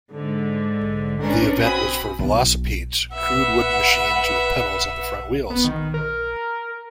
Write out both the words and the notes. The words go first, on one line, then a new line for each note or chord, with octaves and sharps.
The event was for velocipedes, crude wooden machines with pedals on the front wheels.
G#2 D3
C#4 D4 A#4 B4
C4 F#4 G#5 B5 D#6
B1
B4 E5 F#5
B3
D#3
A#4